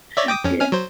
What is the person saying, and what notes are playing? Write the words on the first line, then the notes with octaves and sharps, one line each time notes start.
it. Yeah.
C#5 D5 E5
G5 D6 D#6
F2 C#4
C#4 G#5 F6
F#3 C5